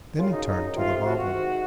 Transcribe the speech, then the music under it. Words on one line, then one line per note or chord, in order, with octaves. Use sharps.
Then he turned to the hovel.
F#2 C#3 F4
D#4
D#4
F2 C3 D#3 F4
F#4
F#4
G#2 D#3